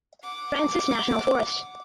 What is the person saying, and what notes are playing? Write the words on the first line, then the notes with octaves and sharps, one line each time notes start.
Francis National Forest.
F#5 D6